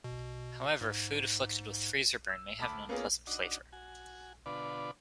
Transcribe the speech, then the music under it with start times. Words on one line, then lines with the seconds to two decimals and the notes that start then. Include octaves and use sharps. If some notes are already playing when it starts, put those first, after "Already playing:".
However, food afflicted with freezer burn may have an unpleasant flavour.
0.04 B2
0.81 G#2
2.29 E6
2.59 D2 A5 B5 D6
2.89 A#3 B3 C#4 F4 G#4 A#4
3.27 D4 D#4 F#4
3.72 F#4 G#5
4.46 B2 D3 D4 F4 B4 D5